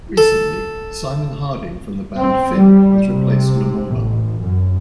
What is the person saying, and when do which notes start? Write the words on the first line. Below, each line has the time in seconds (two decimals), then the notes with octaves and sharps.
Recently, Simon Harding from the band Fin has replaced Lumumba.
0.17 A4
2.17 C4
2.57 G3
3.08 C3
3.96 A1
4.42 F#2